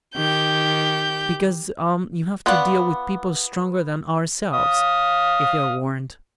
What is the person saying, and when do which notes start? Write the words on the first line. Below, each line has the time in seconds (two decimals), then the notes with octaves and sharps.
"Because you have to deal with people stronger than ourselves, if they are warned."
0.16 D#3 G4 G6
2.46 B3 F4 D5 F#5
4.54 F5 D#6